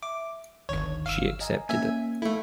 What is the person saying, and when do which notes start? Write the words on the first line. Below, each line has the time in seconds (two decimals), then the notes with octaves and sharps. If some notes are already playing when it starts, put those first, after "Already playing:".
She accepted it.
0.02 E5 D6
0.69 G1 D2 D#3 C#5
1.06 G1 F5 E6
1.41 D#5 G#5 A#5
1.69 A#3 C#4 E5 G#5
2.22 A3 E4 A4 F5